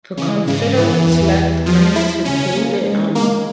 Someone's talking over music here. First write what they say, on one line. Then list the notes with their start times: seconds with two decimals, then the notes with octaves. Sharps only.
The Confederates lacked money to pay their army.
0.17 C#3 E3
0.47 G#2 C#3
0.77 G2 E3
1.06 E2
1.66 F3
1.95 E4
2.25 C#3 C#4
2.55 A#3
2.85 G#3
3.15 G#3 A#3